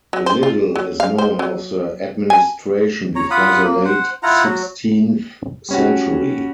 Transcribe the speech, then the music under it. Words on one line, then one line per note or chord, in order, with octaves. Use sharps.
Little is known of the administration before the late sixteenth century.
F#3
C5
F4
F#3
F5
C5
F#3
G#5
C#5 A#5
F4 F#5 B5 D#6
A#3
C5 F#5
E4 F4 F#5 A#5
F#3 F#4
G3 C#4 F#4